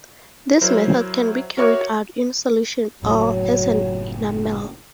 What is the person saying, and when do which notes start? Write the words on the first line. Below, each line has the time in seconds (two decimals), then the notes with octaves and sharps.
This method can be carried out in solution or as an enamel.
0.61 F#3 E4 A#4 C5
1.57 F#4 A#4 C#5 E5 C#6 D6
3.03 F#1 A2 F#3 A3